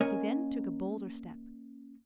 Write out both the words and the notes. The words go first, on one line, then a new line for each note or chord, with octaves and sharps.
He then took a bolder step.
A#3 C#4 A#4 C#5 D#5 G#5